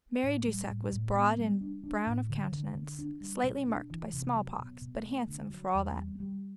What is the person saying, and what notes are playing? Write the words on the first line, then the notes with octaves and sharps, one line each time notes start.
Mary Dusak was broad and brown of countenance, slightly marked by smallpox, but handsome for all that.
A2
G3
A2
A2
B3
G3
D4
D4
A2
D3
D3
D3
D4
G3
B2
D4
E3
C3
F#3
B2
B2
A3
D3
F#3
E2
G3
G3